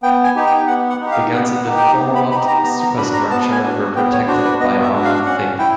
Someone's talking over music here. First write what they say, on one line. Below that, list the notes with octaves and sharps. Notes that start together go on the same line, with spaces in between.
The guns in the forward superstructure were protected by armour thick.
B3 G5
G#5
D#4 G4
G5
B3 F#5
F#5
D#4 G4
F5
B3 F#5
F#5
D#4 G4
G5
B3
B5
D#4 G4 B5
A#5
B3 A#5
A#5
D4 F#4 B5
A#5
B3 A5
G#5
D4 F#4
B3 G5
C#5
D4 F#4 C5
B4
B3 D#5
E5
D4 F#4
F5
C#4 F#5
E4 G5